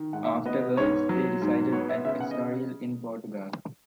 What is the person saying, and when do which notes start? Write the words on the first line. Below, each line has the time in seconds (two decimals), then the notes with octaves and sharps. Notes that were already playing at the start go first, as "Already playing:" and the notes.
Afterwards, they resided at Estoril, in Portugal.
Already playing: D#3
0.13 G#2 F#5
0.24 E5
0.46 B3 D#5
0.77 G#2 C#5
1.09 F#3
1.42 G#2
1.73 B3 C#5
1.89 E5
2.05 C#3 E5
2.20 F#5
2.31 D#5